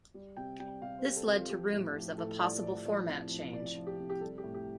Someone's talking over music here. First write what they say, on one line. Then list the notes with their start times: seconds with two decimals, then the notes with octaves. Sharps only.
This led to rumors of a possible format change.
0.14 G3
0.37 C3 G5
0.59 G3 G5
0.82 C3 F5
0.98 C5
1.05 G3
1.16 A4
1.28 C3
1.33 F4
1.49 F3 G4
1.72 A2
1.95 F3
2.18 A2 A4
2.40 F3 D5
2.62 A2 D5
2.85 F3 D5
3.08 C3
3.30 F3
3.53 C3 D5
3.75 F3
3.87 G4
3.99 C3
4.10 G4
4.21 G3 A4
4.38 G4
4.43 A2
4.54 G4